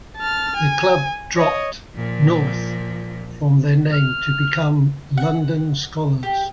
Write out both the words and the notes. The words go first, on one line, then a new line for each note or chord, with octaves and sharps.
The club dropped "North" from their name to become "London Skolars".
A5 F6
G#5
C#5 D#5
A#2 F3
F6
F#5
G4